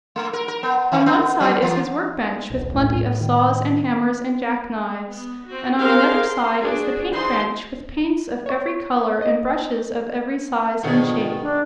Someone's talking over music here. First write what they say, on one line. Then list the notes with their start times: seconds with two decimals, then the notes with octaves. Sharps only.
On one side is his work-bench, with plenty of saws and hammers and jack-knives; and on another side is the paint-bench, with paints of every color and brushes of every size and shape.
0.16 A3
0.33 A#4
0.48 A#4
0.63 B3
0.92 D#3
1.06 B3
1.40 F#3
1.62 E3
2.50 D#1 B1
2.74 A2
3.20 D#3
5.10 B3
5.48 C4 F#4
5.78 G4 G#4 A#4 C5 F5 F#5
6.24 C6
6.57 D4 F#4 G#4
7.12 E3 D#4 F#4 G#4 C5 C6
8.46 C#5 C#6
9.22 D#5
10.83 G#2 B2 D3 D#3 F3 G#4
11.42 D4